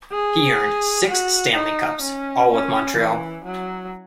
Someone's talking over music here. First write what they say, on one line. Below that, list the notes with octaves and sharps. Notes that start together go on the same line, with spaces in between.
He earned six Stanley Cups, all with Montreal.
G#4
F#4
D#4
C#4
C#4
E3
F#3